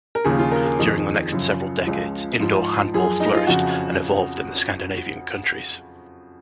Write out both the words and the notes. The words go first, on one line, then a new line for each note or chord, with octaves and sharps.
During the next several decades, indoor handball flourished and evolved in the Scandinavian countries.
A#4
D#2 C#3 F3 G#4
F4
A#4
G#4
F2 D#3 G#4
F#2 C#3 F3
C#2 C#3 F3
G#2 F3
F#2 F3 G#4
D#4
F4
F2 C#3 F3 F#4